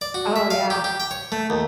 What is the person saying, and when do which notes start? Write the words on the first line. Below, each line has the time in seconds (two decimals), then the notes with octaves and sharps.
Oh, yeah.
0.01 D5
0.14 F#4
0.36 E5
0.50 F5
0.70 G4
0.84 G4
1.00 G5
1.11 C#5
1.32 A3
1.50 D#2